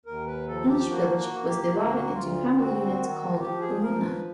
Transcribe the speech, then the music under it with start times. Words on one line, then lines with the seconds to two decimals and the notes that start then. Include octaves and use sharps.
Each village was divided into family units called 'umunna'.
0.06 D#2 A#4
0.26 B4
0.47 F3 A4
0.68 G4
0.89 A#3 F#4
1.17 F#4
1.32 A#3
1.46 G4
1.72 D2 F#4
2.14 D2 F4
2.56 C4 F#4
2.98 D#3
3.39 F3 G4
3.60 G#4
3.82 F3 A#4
4.03 B4